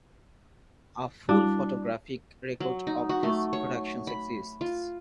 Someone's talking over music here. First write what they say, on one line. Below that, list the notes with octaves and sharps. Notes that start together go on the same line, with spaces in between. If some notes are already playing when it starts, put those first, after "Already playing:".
A full photographic record of these productions exists.
G3 D4 E4 F#4
F#3
D#4
F#4
A3
C#5
B5
F4